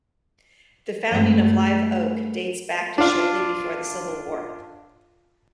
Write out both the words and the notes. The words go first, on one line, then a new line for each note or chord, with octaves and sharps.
The founding of Live Oak dates back to shortly before the Civil War.
G2 G#3 A3
D4 F4